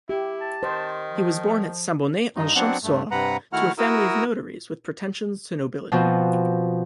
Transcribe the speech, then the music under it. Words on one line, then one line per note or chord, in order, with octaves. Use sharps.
He was born at Saint-Bonnet-en-Champsaur, to a family of notaries with pretensions to nobility.
E4 G4
A5
D#3 C5
F3
G2 D#4
F#3 B3 C4 D4 F#5
G2 A3
G2 C3 B4 F#5 A#5
D#3 A3 E4 F#4 F#5 F6
E4 F#4 A#4 D#6 E6
B2 F3 B3 C4